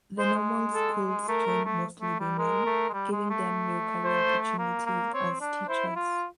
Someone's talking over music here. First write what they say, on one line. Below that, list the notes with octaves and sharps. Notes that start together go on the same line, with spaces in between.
The normal schools trained mostly women, giving them new career opportunities as teachers.
G#3 C5
A4
A3 A#4
A3
A3
A3
G3
G#3 A#4
A3
G#3
G3
G#3
A3
C5
A#3
A#3
C4 C#5
D4
E4 C5
F4